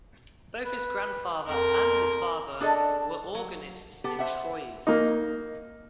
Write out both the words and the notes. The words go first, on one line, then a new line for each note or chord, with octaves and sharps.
Both his grandfather and his father were organists in Troyes.
B4
F2 A#4
D4 G#4 A4 D5 D#5 A5
F#3
B3 G4 A4
C5 E5 F#5
A#3 D#4